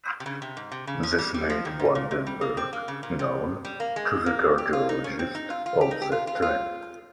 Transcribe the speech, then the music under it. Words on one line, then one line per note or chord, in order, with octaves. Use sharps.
This made Van den Berg known to the cardiologists of that time.
C3
C#3
C3
G#2
C3
C#3
F3
G3
G3
F3
D#3
G#2
A#2
C3
G3
A#3
C4
A#3
C#3
A#2
C3
G3
A#3
G#3
A#3
G4
F4
D#4
C#4
C4
D#4
F4
F4
G4
D#4
G4
F4
F4
F4